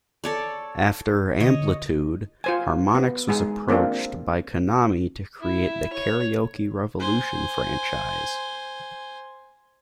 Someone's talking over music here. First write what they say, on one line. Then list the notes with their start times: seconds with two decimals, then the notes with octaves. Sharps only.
After "Amplitude", Harmonix was approached by Konami to create the "Karaoke Revolution" franchise.
0.24 A4 C#5 D5
1.40 D3 C#5 D#5
2.44 F4 C5 G#5
2.95 B3
3.29 G#3 D#4 G#4
3.68 A#3 C4 D4 F4
5.41 E4
5.93 C#5
7.00 C5 G#5